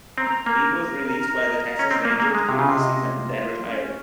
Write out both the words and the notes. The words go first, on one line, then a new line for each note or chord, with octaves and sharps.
He was released by the Texas Rangers during the season, then retired.
C4 A#5
A#3 A#4
A#4
A#4
D#5
A#5
C#4
C4 A#5
A#3
A#3 G#4
G#3
C3 F4
C#3
C3
D#5
F4
F4
C#4